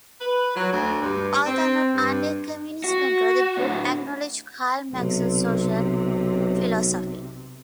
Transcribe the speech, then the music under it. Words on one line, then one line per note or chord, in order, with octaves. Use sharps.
Although not under Communist control, the group acknowledged Karl Marx's social philosophy.
B4
F#3
D2
G2
C4
G2
F#4
A2 D3
B1 C3